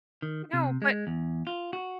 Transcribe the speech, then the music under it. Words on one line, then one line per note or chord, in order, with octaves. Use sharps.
No, but
D#3
C3
G#3
E2
F4
F#4